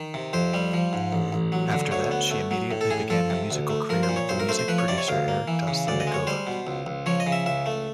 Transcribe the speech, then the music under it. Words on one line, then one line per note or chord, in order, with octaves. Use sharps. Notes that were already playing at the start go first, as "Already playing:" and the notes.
After that, she immediately began her musical career with the music producer Eric Tastambekova.
Already playing: D#3
C3
F2 C5
G3
F3
G#2
A1
A1
F#3
D3
D2 C#5
B3
A3
F#3
A2
A4
A2 G#4
F3 A4
C3
D2
A3
F3 A#4
C5
A#2
C#5
B1 C5
A#4
A3 C5
C5
F3 B4
C#5
C3 D5
C#5
D2 F5
A#3
E3
C#3
D2 D5
D#5
G#3
C#5
G3 C5
B2
C#2
C#2
F3 C#5
D#5
C#3
E5
C#2 E5
A3